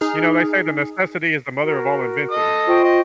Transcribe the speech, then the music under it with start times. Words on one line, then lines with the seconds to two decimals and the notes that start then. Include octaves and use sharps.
You know, they say that necessity is the mother of all invention.
0.01 D#4 G#4 F6
1.63 F#4 A#4
2.31 A4 D#5 D#6
2.67 F4 C5 G5 C#6
2.84 D#5